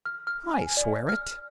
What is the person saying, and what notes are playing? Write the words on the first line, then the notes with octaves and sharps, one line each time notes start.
"I swear it."
F6
F6
G#5
D5
F6